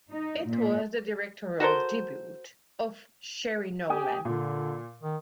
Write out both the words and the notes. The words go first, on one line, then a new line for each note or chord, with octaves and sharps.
It was the directorial debut of Cherie Nowlan.
D#4
A#2
F#4 A4 A#4 C5
G4 G5 G#5 D#6
A#2 D3
D#3